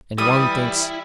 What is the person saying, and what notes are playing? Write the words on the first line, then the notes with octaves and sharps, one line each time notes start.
And one thinks....
E3 G3 E4 D#6